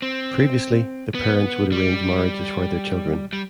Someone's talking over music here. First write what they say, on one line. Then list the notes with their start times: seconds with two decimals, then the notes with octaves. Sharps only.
Previously, the parents would arrange marriages for their children.
0.02 C4
1.15 B3
1.72 G3
3.33 G3